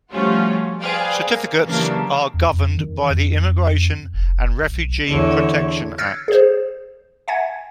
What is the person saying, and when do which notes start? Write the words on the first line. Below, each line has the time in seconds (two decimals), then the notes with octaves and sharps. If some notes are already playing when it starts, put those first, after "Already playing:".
Certificates are governed by the "Immigration and Refugee Protection Act".
0.11 F3 G3 A3 C#4 F4 F#4
0.81 G#4 B4 C5 D5 F5 G5
1.27 A#3
1.64 C#3 E3 F#3 G3 A#3 D4
2.34 E2
2.51 F2
2.77 D#3
3.10 F2
4.13 F1
4.62 B1
5.08 E2 D3 C#5
5.98 E6 F6 G#6 A6 C7 C#7
6.28 G#4 C5
7.28 E5 F#5 G#5 G#6